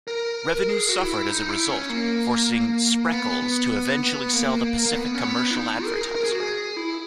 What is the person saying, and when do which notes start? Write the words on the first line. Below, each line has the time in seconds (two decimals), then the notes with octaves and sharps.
Revenue suffered as a result, forcing Spreckels to eventually sell the "Pacific Commercial Advertiser".
0.08 A#4
0.69 G#4
0.89 F#4
0.99 E4
1.29 D#4
1.49 E4
1.70 C#4
1.90 A#3
3.12 B3
3.42 B3
3.72 B3
4.03 B3
4.33 A#3
4.85 A#3
4.94 B3
5.14 C#4
5.24 B3
5.51 E4
5.55 D#4
5.85 A#4
5.93 G#4
6.01 A#4
6.16 A#4
6.24 G#4
6.32 F#4
6.40 G#4
6.76 E4